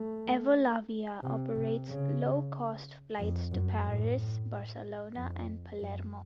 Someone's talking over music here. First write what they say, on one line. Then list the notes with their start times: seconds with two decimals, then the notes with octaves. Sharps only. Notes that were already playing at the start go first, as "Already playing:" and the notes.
Evolavia operates low cost flights to Paris, Barcelona, and Palermo.
Already playing: A3
1.23 C3
1.56 C3
1.89 C#3
3.19 F2
3.51 F#2
3.84 A2
5.15 F2
5.80 F#2